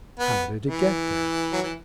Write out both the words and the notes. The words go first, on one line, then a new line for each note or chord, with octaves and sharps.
How did it get there?
B3
E3
F#3
E3